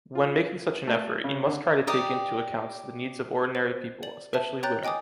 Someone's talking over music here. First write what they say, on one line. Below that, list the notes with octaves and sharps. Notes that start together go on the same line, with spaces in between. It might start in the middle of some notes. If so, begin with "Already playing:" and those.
When making such an effort, you must try to take into account the needs of ordinary people, especially women.
F4
A3
C#3
D3
D#4 G4 D5 D#6
C5
D5 F#7
B4 E5 A5
C#5 G5 A#5 F#6 G6 A6
D#5 G5 G#5 D6 D#6